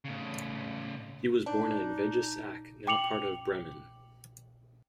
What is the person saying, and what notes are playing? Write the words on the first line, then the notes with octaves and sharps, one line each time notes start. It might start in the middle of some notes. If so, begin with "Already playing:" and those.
He was born at Vegesack, now part of Bremen.
A2 C#3
D4 D#4
G5 D6 C#7 F7 F#7